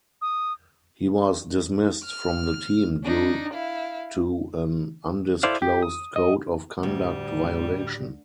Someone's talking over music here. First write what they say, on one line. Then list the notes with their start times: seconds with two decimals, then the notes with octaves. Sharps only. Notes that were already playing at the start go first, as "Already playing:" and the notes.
He was dismissed from the team due to an undisclosed code of conduct violation.
0.22 D#6
2.04 F6
3.04 D4 D#4
3.53 E4 F5
5.43 E4 A4 C5 D5 F5
5.62 G4
5.82 D#6
6.16 D#5
6.83 D2 A2 G3 G4 D5